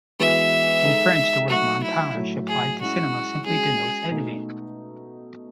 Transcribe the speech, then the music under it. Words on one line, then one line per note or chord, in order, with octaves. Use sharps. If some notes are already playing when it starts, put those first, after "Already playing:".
In French the word "montage" applied to cinema simply denotes editing.
E3 G#3 B3 F#4 B4 E5
G#3 D#4 A4
F#3 A3 D#4 F#4
E4
A2 F#3 A3
G#4
G#3 C#4 E4 F#4
G#3 C#4 F#4 G#4
B2 A3 D#4